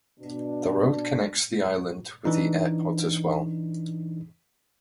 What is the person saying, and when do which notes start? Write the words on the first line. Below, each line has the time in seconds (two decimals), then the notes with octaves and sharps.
The Road connects the island with the airport as well.
0.20 B2 D4
2.25 E3 D4 D#4